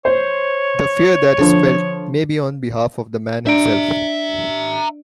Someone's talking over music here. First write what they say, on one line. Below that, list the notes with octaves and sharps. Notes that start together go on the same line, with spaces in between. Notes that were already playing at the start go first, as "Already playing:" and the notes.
The fear that is felt may be on behalf of the man himself.
C5 C#5
D3 F3
D4 D5 E5 A#5 D7